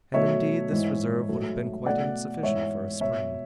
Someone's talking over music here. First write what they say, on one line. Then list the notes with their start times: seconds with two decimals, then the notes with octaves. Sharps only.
And indeed this reserve would have been quite insufficient for a spring.
0.14 B2 F#3 A3 C#5 E5
0.71 G#2 E3 G#3
1.29 G#2 F#3 A3
1.86 B2 A3 D5 F#5
2.43 G#2 E3 G#3 C#5 E5
3.01 B2 G#3 C#5 E5